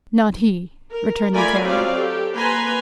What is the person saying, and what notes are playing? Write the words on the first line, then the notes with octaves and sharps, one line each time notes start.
"Not he," returned the Carrier.
A#4
A3 F4 A#4 D5 G#5 B5
F#3 C4 F4 G4 D5 F5
G4 A4
A#3 B4 G#5 A#5 C6